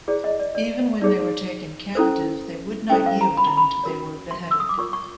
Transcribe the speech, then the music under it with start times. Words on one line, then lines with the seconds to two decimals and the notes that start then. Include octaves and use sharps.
Even when they were taken captive, they would not yield and they were beheaded.
0.08 E4 G#4 C5 D5
0.24 D#5
0.39 D5
0.55 D5
1.02 D#4 G#4 C#5 D5
1.95 C#4 E4 A4 C5
2.90 C#4 E4 A4 C5 G5
3.06 F5
3.21 A#5
3.37 B5
3.47 A#5
3.57 B5
3.84 C#4 F#4 A#4 C#5
4.31 C6
4.51 E6
4.60 D#6
4.69 D6
4.78 F4 A#4 C#5 C#6
4.93 C#6